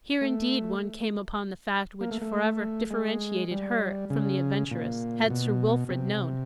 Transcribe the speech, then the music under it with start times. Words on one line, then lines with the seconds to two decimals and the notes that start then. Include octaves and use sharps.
Here, indeed, one came upon the fact which forever differentiated her from the adventuress, had Sir Wilfrid known.
0.21 A3
2.01 A#3
2.11 A3
2.22 A3
2.91 G#3
3.51 G3
4.10 C#3
4.71 A#2
5.30 B2
5.90 C3